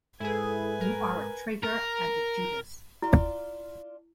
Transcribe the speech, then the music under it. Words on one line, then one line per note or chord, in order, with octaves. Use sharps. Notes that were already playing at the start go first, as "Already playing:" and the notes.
You are a traitor and a Judas.
G#2 E4 G#4 A4 B4 G#5
A#4
A#4
D4 E4 F4